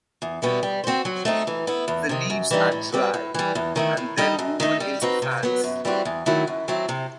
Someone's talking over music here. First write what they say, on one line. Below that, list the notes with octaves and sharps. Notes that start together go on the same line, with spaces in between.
The leaves are dried and then woven into fans.
E2
B2 G3 B3 E4
G3
C4 F#4 C5
F#3
A3 C4 D#4
E3
B3 E4
E2
C3 D#3
F#2
E3 G3 D#4
A2
G3 C4 F#4 B4
A2
E3 G3
E2
D#3 A3 E4
A2
G3 D#4 A4 D#5
F#2
D#3 A3 D#4
G3
C4 D#4 F#4 B4
C3
F#3 B3
F#2
E3 G3 C4 F#4
E2
D#3 F#3 A3 E4
F#2
F#3 A3 C4
C3